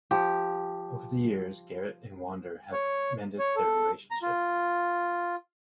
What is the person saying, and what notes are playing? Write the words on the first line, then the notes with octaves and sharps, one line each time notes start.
Over the years, Garrett and Wonder have mended their relationship.
F3 G4
C#5
C#5
A4
A#5
F4